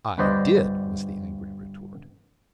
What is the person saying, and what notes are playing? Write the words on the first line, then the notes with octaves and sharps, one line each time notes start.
"I did," was the angry retort.
G1 G2 B4 C5 D5 D#5